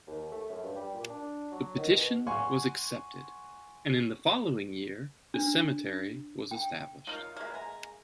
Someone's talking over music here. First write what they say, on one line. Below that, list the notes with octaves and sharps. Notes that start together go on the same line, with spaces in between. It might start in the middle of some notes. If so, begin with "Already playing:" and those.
The petition was accepted and in the following year the cemetery was established.
D#2
A3
F#2
G2
G3
A#2
D4
F#3
D#3
B2
F#5 G#5 C6 C#6
D4
G5
D#4 F4 A#4 C#5 D#5 F5
G#3 A#3 E4 B4
G#5 A#5